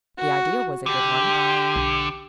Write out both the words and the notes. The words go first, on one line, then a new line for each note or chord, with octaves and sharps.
The idea was a good one.
F#4
D3 G4
B1